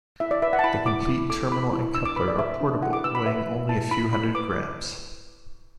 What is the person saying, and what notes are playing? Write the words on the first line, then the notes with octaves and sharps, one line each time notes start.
The complete terminal and coupler are portable, weighing only a few hundred grammes.
E4 E5
D5
B4 E5
F#5
A5
E4 B5
E4 D6
E4
A4 D6
E4 B5
E4
D4 E6
D6
B4 B5
D5
B4 E5
D4
E4 F#5
D6
B4 E6
B5
B4 E5
E4
E4 A5
E4 B5
E4 B5
B4 D6